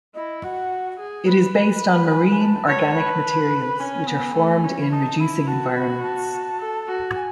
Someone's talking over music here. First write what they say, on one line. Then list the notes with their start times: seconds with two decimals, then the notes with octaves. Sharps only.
It is based on marine organic materials, which are formed in reducing environments.
0.15 E4 D#5
0.43 F#4 F#5
0.99 G#4
1.27 B4
2.11 G#5
2.31 G#5
2.40 A5
2.68 C#5
2.96 B4
3.79 C#4 G#5
4.07 B3
4.36 A3
4.64 C#4
4.81 B5
4.91 D#4 A5
5.20 E4 B5
5.47 F#4 A5
5.76 B5
6.03 A5
6.60 A4
6.87 F#4
7.16 G#5